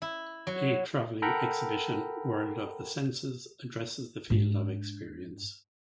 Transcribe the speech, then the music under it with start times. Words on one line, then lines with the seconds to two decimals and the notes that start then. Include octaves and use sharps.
A traveling exhibition World of the Senses addresses the field of experience.
0.02 E4
0.47 F#3
1.22 A4 A#4 F#5 G5 A#5 B5
4.30 G#2 D4